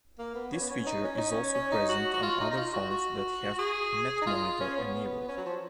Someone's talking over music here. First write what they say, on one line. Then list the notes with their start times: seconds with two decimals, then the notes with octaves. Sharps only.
This feature is also present on other phones that have "netmonitor" enabled.
0.19 A#3
0.35 B3
0.53 C#4
0.61 B3
0.71 C#4
0.86 D#4
1.04 C#4
1.18 D#4
1.32 C#4
1.54 C#4
1.71 D#4
1.89 F#4
2.13 F#4
2.23 F4
2.40 D#4
2.51 D#4
2.57 F4
2.74 F#4
2.90 F#4
3.59 G#4
4.22 D#4
4.26 F4
4.60 C#4
4.78 B3
5.29 C#4
5.37 F#3
5.46 F3